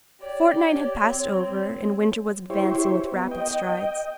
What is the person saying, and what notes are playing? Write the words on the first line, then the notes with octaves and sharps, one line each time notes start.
A fortnight had passed over and winter was advancing with rapid strides.
G4 C#5 D5
C4
E4 G4 C5 C#5
B3
D#5 G5